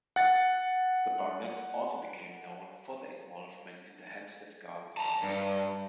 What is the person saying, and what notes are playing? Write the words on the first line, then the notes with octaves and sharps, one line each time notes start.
The Barnetts also became known for their involvement in the Hampstead Garden Suburb.
F#5 A6
A5 A#5
G2